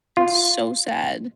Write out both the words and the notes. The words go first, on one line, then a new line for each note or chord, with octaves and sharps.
It's so sad.
F4